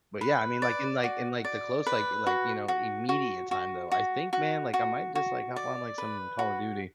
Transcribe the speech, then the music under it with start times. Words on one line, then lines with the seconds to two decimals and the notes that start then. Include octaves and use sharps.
But, yeah, I mean, like, in, like in, like, the close, like like, you know, immediate time, though, I think, man, like, I might just, like, hop on, like, some Call of Duty.
0.21 B4
0.62 D5
1.04 F#4
1.44 D5
1.86 B4
2.27 F#4
2.68 F#4
3.09 F#4
3.51 F#4
3.91 F#4
4.33 F#4
4.74 F#4
5.15 F#4
5.56 D5
5.98 B4
6.39 F#4